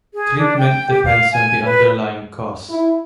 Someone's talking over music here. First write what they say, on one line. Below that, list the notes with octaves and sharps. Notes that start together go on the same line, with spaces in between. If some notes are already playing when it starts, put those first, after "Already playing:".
Treatment depends on the underlying cause.
G#4
D4
G5
G4
F5
G#5
B4
E4